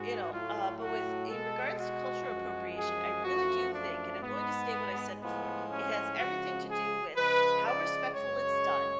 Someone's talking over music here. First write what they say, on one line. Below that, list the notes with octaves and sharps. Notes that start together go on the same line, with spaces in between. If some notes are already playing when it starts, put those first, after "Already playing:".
you know, uh, but with in regards to cultural appropriation, I really do think, and I'm going to state what I said before, it has everything to do with how respectful it's done.
Already playing: G#2 G#3 F#4
A2 F#3 A3 F4
F#4
B2 G#3 A4
F#4
F#2 F3 G#3
G#4
F#2 F3 A3 F#4
D4
G#2 G#3 B3
A2 F3 G#3 B3
C#4
C#3 F3 G#3 F#4
G#4
C#3 F3 G#3 B4
D5
F#2 C#3 G#3 C#5